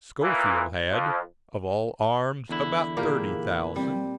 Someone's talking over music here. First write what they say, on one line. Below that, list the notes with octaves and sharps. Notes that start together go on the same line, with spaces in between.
Schofield had, of all arms, about thirty thousand.
A#2 E3
F2
E2 D3 E4
A#2 A#3 G4 G#4
G3 C4